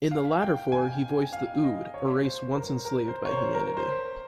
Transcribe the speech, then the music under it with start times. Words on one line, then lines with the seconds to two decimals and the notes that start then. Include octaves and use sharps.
In the latter four he voiced the Ood, a race once enslaved by humanity.
0.11 F5
0.42 G5
0.72 G#5
1.33 F5
1.63 D#5
1.94 C#5
2.24 C5
2.55 A#4
2.85 A#4
3.08 C5
3.25 C#5
3.31 C5
3.54 A#4
3.77 C5